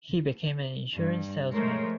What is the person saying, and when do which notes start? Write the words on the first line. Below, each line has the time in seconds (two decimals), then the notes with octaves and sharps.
He became an insurance salesman.
0.96 G2
1.51 F3 G#3 A3 A#4 C5 C#5